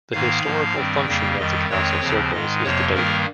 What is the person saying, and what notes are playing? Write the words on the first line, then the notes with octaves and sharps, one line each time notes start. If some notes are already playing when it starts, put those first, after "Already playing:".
The historical function of the council circles is debated.
G#2 D#3 A#3 F5
G#2 F3 A#3
G2 D#3 G3 C4
F2 C#3 G3 A#3 G5
F2 D#3 G3 D#5
F2 D#3 G#3 C4 C#5
D#2 C#3 F3 C4
G#2 D#3 G#3 D#5
F2 C3 F3 A#3 C#5
G2 D#3 G3 A#3 A#4